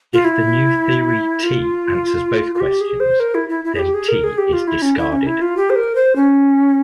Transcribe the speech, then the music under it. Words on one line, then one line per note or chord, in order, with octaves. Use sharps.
If the new theory T' answers both questions then T is discarded.
F4
E4
F4
F4
G4
G#4
C5
A#4
E4
E4
E4
G#4
G4
G#4
A#4
G#4
G4
F4
E4
C#4
E4
C#4
E4
F4
G4
C5
A#4
C5
C#4